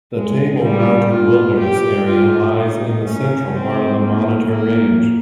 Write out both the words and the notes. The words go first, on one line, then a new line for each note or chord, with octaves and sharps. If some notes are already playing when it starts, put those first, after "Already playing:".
The Table Mountain Wilderness Area lies in the central part of the Monitor Range.
G#3
G3
F4
G4
F4
D#4
C#4
C4
A#3
A#3